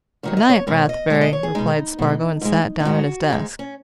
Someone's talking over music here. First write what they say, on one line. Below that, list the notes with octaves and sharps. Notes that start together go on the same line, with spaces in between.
"Good-night, Rathbury," replied Spargo and sat down at his desk.
G#2 D#3 F#3 C#5
D#5
C#5
B2 G#3 C#5
D#5
B2 G#3 C#5
D#5
C#5
G#4
B2 G#3 D#4
B2 G#3
G#2 G#3
D#4
G#2 G#3 F#4
G#2 G#3 D#4
C#4